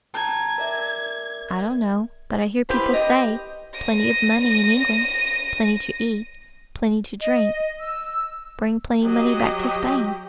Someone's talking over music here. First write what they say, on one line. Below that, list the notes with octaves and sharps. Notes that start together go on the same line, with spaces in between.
"I don't know, but I hear people say, plenty of money in England--plenty to eat--plenty to drink; bring plenty money back to Spain."
G5 A5 A#5 G#6
A#4 D5 E5
E4 G4 B4 C5
G4 D#5
A#6 D#7
D#5
E6
F#3 G4 D#5